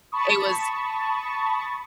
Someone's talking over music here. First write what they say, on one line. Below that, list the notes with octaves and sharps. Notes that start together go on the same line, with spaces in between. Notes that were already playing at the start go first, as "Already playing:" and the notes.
it was
A5 B5 C#6 D#6